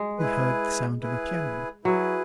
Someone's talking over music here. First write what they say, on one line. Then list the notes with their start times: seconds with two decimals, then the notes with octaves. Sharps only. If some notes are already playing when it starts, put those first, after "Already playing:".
We heard the sound of a piano.
Already playing: G#3
0.19 E4 G#4 B4
1.01 E4 G#4 B4
1.85 F#3 E4 G#4 B4